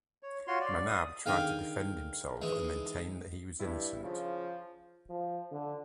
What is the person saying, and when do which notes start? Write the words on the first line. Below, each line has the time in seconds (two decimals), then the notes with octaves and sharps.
Manav tried to defend himself and maintained that he was innocent.
0.23 C#5
0.47 F4 F#4 C#5 C6
0.60 D5
0.88 D#6
1.26 D3 D#3 G#4 F5 G5 G#5
2.42 E3 G#3
3.60 G2 E4
4.03 C#3 F3
5.10 F3
5.52 D3